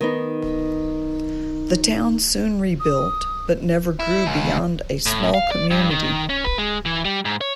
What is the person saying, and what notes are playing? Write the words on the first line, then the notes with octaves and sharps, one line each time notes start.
The town soon rebuilt, but never grew beyond a small community.
D#3 B3 D#4
D#6
E4
C#2
A2
F5
D5
G2
D#3
C#4
B4
G#3
E3
G3
G#2
C#5